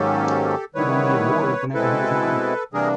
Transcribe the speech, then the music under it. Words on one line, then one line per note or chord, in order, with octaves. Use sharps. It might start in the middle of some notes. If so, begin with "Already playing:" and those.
He won the Award whenever he was nominated.
Already playing: G#2 D#3 F#3 A#3 C#4 G4 A4
D#3 G3 B3 E4 B4 C#5
B2 G#3 C4 E4 A4 B4
C3 E3 G3 A#3 D4 G#4 A#4